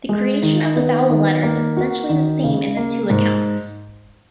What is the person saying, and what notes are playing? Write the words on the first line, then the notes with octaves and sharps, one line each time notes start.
The creation of the vowel letters is essentially the same in the two accounts.
G#3
D#3
B3
D#3
A#3
F#4
D#3
C#3
A#3
G#2